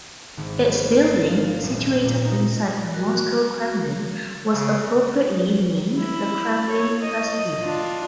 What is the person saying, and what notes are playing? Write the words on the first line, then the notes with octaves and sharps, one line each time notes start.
Its building, situated inside the Moscow Kremlin, was appropriately named the Kremlin Presidium.
G#1
C5
C7
F5
D#1
A#2
D#4
F#4 A#4
C#3
E4
C#5
D#5
D4 F4